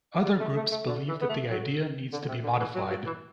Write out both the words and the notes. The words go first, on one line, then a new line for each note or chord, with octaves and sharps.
Other groups believe that the idea needs to be modified.
G3
A3
A3
A3
D3
E3
B3
A3
F#3
D3
C3
D3
E3
F#3
F#3
E3